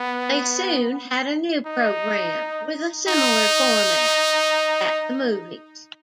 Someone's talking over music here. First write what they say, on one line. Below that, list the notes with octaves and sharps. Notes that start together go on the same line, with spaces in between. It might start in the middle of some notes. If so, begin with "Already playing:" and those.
They soon had a new program with a similar format, "At the Movies".
Already playing: B3
D#4
D#4